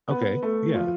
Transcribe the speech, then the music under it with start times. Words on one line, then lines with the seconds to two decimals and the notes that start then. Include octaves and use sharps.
Okay. Yeah.
0.10 B3 B4
0.42 A3 A4
0.75 F3 F4